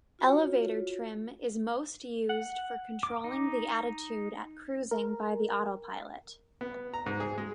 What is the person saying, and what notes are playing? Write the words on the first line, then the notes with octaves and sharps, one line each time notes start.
Elevator trim is most used for controlling the attitude at cruising by the autopilot.
F4 F#4 C#5
F#5
D6
D#4
A#4
B3
A#5
G#2
G#4
G#3